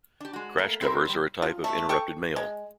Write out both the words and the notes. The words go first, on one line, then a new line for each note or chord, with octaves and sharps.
Crash covers are a type of interrupted mail.
D4 G4
G#3 F#4
A3 A#3
C4 E4 A4 A#4 C5
A#2 G3
F4
A3
A4 G5 C#6
G#3